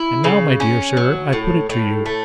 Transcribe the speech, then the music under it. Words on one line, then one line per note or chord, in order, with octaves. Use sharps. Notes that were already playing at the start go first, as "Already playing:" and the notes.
And now, my dear Sir, I put it to you.
Already playing: E4
C#3
C#4
F#3
A2
A2
A3